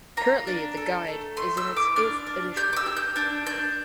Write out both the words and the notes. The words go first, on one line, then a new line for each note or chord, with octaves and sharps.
Currently, the Guide is in its eighth edition.
A#3 A#5
D4
A4
A3
A3 C6
E6
E4
D6
D4 F6
D4
G4 G6
D6
E6
G4
G6
D4 G6
D4 G6